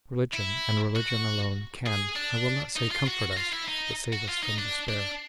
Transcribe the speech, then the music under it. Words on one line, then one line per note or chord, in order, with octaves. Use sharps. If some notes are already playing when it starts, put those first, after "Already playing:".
Religion, and religion alone, can--I will not say comfort us--but save us from despair.
E4
F#4
G#4
D4
D#4
F4
F#4
F4
E4
D#4
F#4
F4
D#4
D4
D4